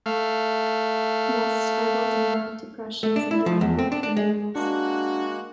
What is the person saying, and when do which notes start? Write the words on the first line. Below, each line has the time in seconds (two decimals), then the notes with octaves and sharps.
Nests are built in ground depressions and lined with tundra moss.
0.06 A3 F5
3.03 A3
3.16 D4
3.31 E4
3.46 F3
3.61 E2
3.79 C4
3.92 D4
4.03 D4
4.17 G#3
4.56 G#3 A#3 D4 F#4 F#6